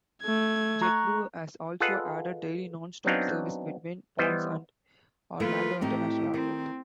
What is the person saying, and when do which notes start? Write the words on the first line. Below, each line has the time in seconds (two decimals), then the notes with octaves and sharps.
JetBlue has also added daily, non-stop service between Ponce and Orlando International Airport.
0.23 A3 G#6
0.82 A#5 C#6 F#6
1.80 F4 G#4 A4 B4 D#5 F#5
3.06 F#3 B3 C4 D4 D#4 F5
4.18 E3 G3 B3 C5 D#5
5.40 D#3 A3 A#3 F4 B4
5.81 A2 A3 C4 D#4 G4
6.34 D#3 C4